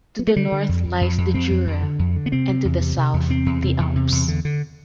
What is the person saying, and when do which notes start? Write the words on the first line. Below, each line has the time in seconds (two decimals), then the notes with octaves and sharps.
To the north lies the Jura and to the south the Alps.
0.19 B3
0.27 A3
0.36 D3 G3
0.52 D3
0.69 F2
0.85 F2
1.01 F2
1.18 F2
1.34 F2 C4
1.51 F2
1.67 F2
1.83 D3
1.99 F2
2.16 D3
2.26 B3
2.32 C3 C4
2.49 C3
2.65 E2
2.81 C3
2.97 C3
3.14 E2
3.30 C3 C4
3.46 E2
3.63 C3
3.79 E2
3.96 C3
4.12 E2
4.28 D3
4.45 D3